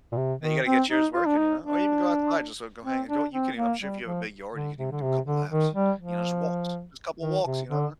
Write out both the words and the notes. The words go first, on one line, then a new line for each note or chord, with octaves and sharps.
And you gotta get yours working, you know? Or even go outside, just, uh, go hang and go you can, even I'm sure if you have a big yard, you can even do a couple of laps. You know, just walks. Just a couple of walks, you know?
A#2
C3
D#3
C4
D#4
F4
D4
D#4
D4
C4
D4
C4
A#3
G3
F3
D3
C3
D3
C3
D3
D#3
G3
F3
D#3
C3
D3